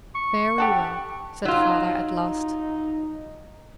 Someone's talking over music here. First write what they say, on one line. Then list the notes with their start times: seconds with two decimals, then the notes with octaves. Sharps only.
"Very well," said Father, at last.
0.15 C#6
0.58 G4 A4 F#5
1.45 F#3 D#4 F4